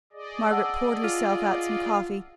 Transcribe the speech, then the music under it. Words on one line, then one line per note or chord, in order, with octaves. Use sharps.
Margaret poured herself out some coffee.
G#4 D5 D#5
F#5 A5 E6
F4